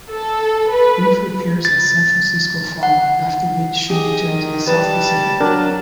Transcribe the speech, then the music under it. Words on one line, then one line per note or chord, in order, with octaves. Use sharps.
Brief repairs at San Francisco followed, after which she returned to the South Pacific.
A4
B4
A6
F#5
G4 G#4 D#5
D#3
G3 B4 A5
F#3 D4 A#4